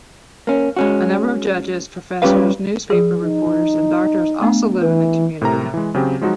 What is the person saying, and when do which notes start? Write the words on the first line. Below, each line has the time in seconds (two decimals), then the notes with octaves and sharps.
A number of judges, professors, newspaper reporters, and doctors also live in the community.
0.47 A#3 C#4
0.77 G#3 C#4 F#4
2.22 G3 C#4 F4 G4 B4 F5
2.90 F3 G#4
3.23 D#4
4.41 A3 B3 D4
4.82 E3 B4
5.41 A2 C3 A#4 A#5
5.74 E3 G#3
5.95 C#3 F#3 C4 G4
6.21 F3 F#3 G#3 D#4 F4 F#4